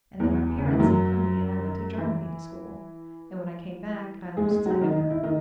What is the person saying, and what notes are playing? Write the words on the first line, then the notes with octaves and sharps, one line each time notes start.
And then my parents sent for me, and I went to Germany to school; and when I came back I lost sight of her.
E2 E3
C#3
D#3
E3
F#2 F#3
E3 E4
G#3 G#4
G#3 G#4
F#3 F#4
D#3 D#4
D#4
E4
D#3 D#4